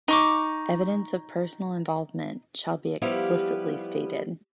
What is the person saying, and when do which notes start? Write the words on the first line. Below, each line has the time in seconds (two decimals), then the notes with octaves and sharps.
Evidence of personal involvement shall be explicitly stated.
0.08 D#4 C#6 D6
3.02 F3 G3 B3 E4 G4 F5